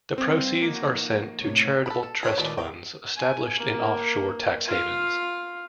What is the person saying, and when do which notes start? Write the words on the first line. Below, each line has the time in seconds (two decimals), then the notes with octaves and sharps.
The proceeds are sent to charitable trust funds established in off shore tax havens.
0.18 G3 C4 F5
0.62 F3 A#3 D#4 F#4
1.40 A2 C3 C#5
1.86 A4 B4
2.03 A4
2.23 A3 C4 D#4 G#4 B4 C#5
2.37 D#2 A#2 E3 G#3 A3 D5
2.58 D#3 G5 A#5
3.16 G#5
3.57 A#3
4.67 F4 F5